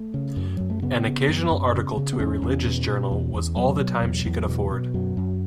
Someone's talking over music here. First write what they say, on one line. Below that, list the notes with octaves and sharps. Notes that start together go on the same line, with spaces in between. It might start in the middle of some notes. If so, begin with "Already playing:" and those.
An occasional article to a religious journal was all the time she could afford.
Already playing: A3
C#3
F#2
F#2 F#3
A3
C#3 B3
C#3
F#2
F#2
C#3
C#3
B3
E2 C#4
E2
B2
B2
E2
E2
B2 F#3
B2
E2
E2
B2
B2
F#2 F#3
F#2